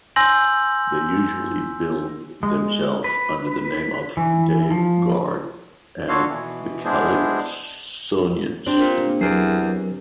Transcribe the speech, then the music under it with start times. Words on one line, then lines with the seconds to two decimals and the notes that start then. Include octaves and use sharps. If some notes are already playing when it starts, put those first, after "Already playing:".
They usually billed themselves under the name of "Dave Guard and the Calypsonians".
0.16 G#5 C6 E6 G6 A#6 F#7
2.43 G#3
3.04 B4
4.17 E3
4.71 F3
6.09 D4 F4 F#4 A4 C#5 F5
6.28 B2 E3
6.85 G#3 B3 D4 E4 G#4 C5
8.66 C4 D4 G4
8.79 A#2
9.07 A#3
9.21 E2 F#3 A#4 C7 D7